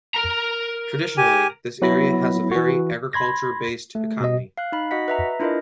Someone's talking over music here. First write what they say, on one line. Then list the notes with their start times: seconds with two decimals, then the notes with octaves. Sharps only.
Traditionally, this area has a very agriculture-based economy.
0.14 A#4 A#5
1.17 G4 G#5
1.82 F#3 B3 E4 B5 A#6
2.51 E3 F#4
3.13 B5 C6 G#6 A#6
3.95 A3
4.20 B2 D#5
4.58 F5 F#6
4.72 D#4 B5
4.91 F#4 D#5 F#5 B6
5.08 B4 E5 A#5
5.40 D4 E4 F4 A#4 B4 D#5